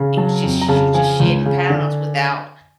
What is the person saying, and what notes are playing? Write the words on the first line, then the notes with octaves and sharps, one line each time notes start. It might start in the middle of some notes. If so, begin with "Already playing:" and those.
it was just she was just shedding pounds without
Already playing: C#3
F#3 A5
F2
A#5
C#3 A5
F3 G#5
C#2
C#3
D3